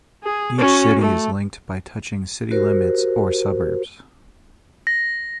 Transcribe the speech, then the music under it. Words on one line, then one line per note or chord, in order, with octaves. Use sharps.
Each city is linked by touching city limits or suburbs.
G#4
C#4 F#4
A3
F#4 G4 A#4 C5
A#6